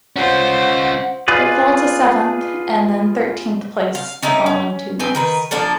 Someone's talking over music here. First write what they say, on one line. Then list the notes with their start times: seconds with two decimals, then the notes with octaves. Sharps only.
It fell to seventh and then thirteenth place the following two months.
0.16 C#4 F4 C5 F#5
1.28 F4 G#4 B4 D5
3.95 F5
4.22 C#4 D#4 E4 A#4
4.46 C#4
4.99 C4 B4 G5 G#5
5.15 D#3 A#4 B4
5.51 F3 A#3 D4 A4